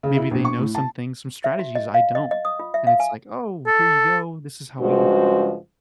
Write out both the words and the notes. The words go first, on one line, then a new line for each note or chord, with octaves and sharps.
Maybe they know some things, some strategies I don't and it's like, "Oh, here you go. This is how we
C#3
E4
A#1
C#6
A2
A5
E5
F#4
D#5
F5
D#5
D#5
D#6
F4
E5
F5
G#5
A4
G2 C#3 F3 G#3 F#4 C5